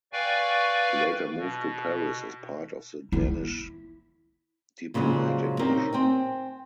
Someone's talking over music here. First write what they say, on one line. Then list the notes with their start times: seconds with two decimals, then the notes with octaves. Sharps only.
He later moved to Paris as part of the Danish diplomatic mission.
0.13 B4 D5 F5 G5 G#5 C#6
1.38 B2
3.12 E4
4.94 A#2 C#3 F3 F#3 G#3
5.59 C4 D#4 G4 A#4 C#5
5.93 C4 G5 G#5